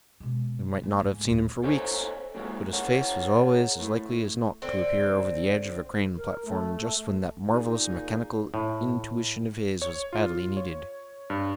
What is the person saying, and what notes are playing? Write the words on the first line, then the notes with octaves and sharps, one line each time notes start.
We might not have seen him for weeks, but his face was always as likely as not to appear over the edge of a crane-platform just when that marvellous mechanical intuition of his was badly needed.
B2 G#3
A3
G#2
D1 A#1
A4 C5 C#5 D#5 G#5
A#2 F#3 G#3
G#4 A#4 C#5 F#5
A2
D3 C4
A#4
A3
A#2 D#4 G#4
A2
C#5
F4
C#5
G2